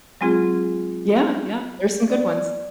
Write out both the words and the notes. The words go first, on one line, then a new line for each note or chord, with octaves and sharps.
Yeah. Yeah. There's some good ones.
F#3 G#3 C4 F4 G#4
D5